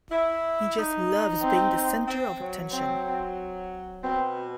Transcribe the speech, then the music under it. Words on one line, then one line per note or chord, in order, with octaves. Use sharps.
He just loves being the center of attention.
E4
D#4
C4
C4
F#3
C4
B2 C4